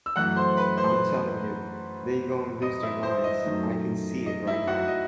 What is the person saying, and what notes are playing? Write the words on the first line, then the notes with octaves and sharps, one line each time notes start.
I'm tellin' you, they gon' lose their minds; I can see it right now.
E6
F#2 E3 A3 F#5 F#6
C5 C6
B4 B5
C5 C6
D#5 D#6
E4 E5
C5
D#5
F#2 D#3 A3
D#5
E4 E5
F#4 F#5
D#5